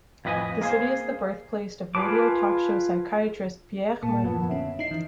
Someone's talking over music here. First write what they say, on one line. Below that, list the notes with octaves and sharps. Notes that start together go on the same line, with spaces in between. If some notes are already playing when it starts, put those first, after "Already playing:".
The city is the birthplace of radio talk show psychiatrist Pierre Mailloux.
F2 A2 B4 D#5 G#5
A#3 G#4 C5
F4 G#4 B4 A5 D6
A#2 A#3 A5
F#2 F3 B3
D3 C#4 E5
D#4 C7
E3